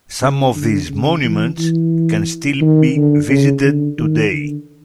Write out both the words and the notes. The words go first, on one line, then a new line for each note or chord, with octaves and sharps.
Some of these monuments can still be visited today.
C#3
D3
C#3
E3
E3
D#3
D3
C#3
D3
D#3
D3